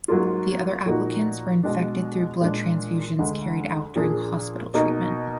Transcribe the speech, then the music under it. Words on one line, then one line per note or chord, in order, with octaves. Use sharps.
The other applicants were infected through blood transfusions carried out during hospital treatment.
G#2 F#3 A#3 F4
A#2 F3 A#3 D#4 F#4
B2 G#3 D4
A#2 G#3 D4
D2 D3 G#3
A#2 F3 A#3 D4 G#4
B2 A#3 D#4 A#4 D#5